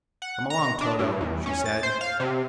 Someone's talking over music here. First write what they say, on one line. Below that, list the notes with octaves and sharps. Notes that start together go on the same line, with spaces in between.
"Come along, Toto," she said.
F#5
A#5
D4
G2
E2
C#4
A6
C5
F5
C3